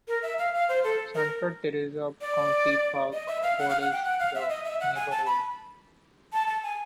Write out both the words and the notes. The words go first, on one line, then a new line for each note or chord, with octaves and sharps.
Santa Teresa County Park borders the neighborhood.
A#4
E5
F5
F5
C5
A4
A#4
D5
D#5
E5
F5
F#5
F5
F#5
G5
F#5
F5
E5
D#5
E5
F#5
G#5
A5
B5
A5
A5
G#5